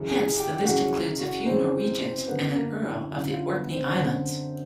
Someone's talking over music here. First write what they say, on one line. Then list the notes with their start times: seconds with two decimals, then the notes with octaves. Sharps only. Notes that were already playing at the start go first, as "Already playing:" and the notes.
Hence the list includes a few Norwegians and an earl of the Orkney Islands.
Already playing: F#2 C#3 E3
0.09 G#4 G#5
0.36 G4 G5
0.53 G5
0.64 F#2 C#3 E3 F#4 F#5
1.19 F#4 F#5
1.46 F#2 C#3 E3 C4 C5
2.28 F#2 D3 B3 B4
2.55 A#3 A#4
2.83 E4
3.10 F#2 D3 E4
3.31 F4
3.51 B3 B4
3.71 C4 C5
3.93 F#2 D3